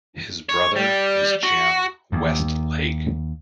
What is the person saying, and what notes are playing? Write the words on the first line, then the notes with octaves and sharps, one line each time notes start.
His brother is Jim Westlake.
C#5
G3
F#4
D#2